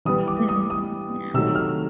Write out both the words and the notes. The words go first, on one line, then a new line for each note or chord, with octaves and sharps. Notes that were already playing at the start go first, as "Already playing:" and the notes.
Mhm, yeah.
E3 G3 B3 D#6
D6
D#6
D#6
C3 D#3 F#3 A3 E6
F6